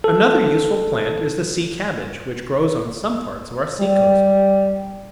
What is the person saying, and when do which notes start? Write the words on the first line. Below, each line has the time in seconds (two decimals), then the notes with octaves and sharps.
Another useful plant is the Sea Cabbage, which grows on some parts of our sea coast.
0.04 A4
3.81 G3